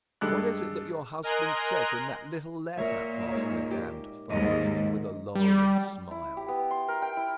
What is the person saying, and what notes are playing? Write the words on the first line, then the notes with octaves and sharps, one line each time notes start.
"What is it that your husband says in that little letter?" asked Madame Defarge, with a lowering smile.
G2 G#3 A4 D6 F#6
A#4 D#5 G#5 A#5 C6 F#6
A#2 A#4 C#5 E5
G#2 A#4 C#5
G4
D#2 G#2 A#4 D#5
G3
E4
G4
B3
C6
A#4
G5
E4